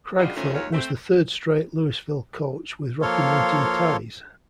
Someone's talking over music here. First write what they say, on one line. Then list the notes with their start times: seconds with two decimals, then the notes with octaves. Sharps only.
Kragthorpe was the third straight Louisville coach with Rocky Mountain ties.
0.18 C#3 G3 G#3 D4 F4 F#4
0.35 A#2 D#3 F3 A3 C#4
0.53 D#2 F4 C#5
0.73 A3 C4
3.02 F3 A#3 A4 C#5 F5 C6